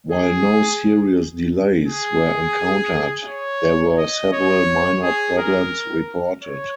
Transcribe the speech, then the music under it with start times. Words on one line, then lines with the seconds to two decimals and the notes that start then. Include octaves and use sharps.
While no serious delays were encountered, there were several minor problems reported.
0.12 G#4
1.87 G#4
3.27 C#5
3.98 D#5
4.32 C#5
5.03 G#4
5.38 A#4
6.43 C#5